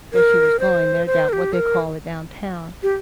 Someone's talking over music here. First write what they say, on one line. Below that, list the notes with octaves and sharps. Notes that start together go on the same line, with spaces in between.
where she was going there, down what they call it, downtown,
A#4
C5
C5
A#4
G4
A#4
G4